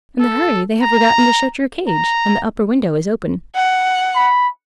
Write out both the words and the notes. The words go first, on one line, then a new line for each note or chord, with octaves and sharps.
In the hurry they have forgotten to shut your cage, and the upper window is open.
A4
A#5
A#5
F#5
B5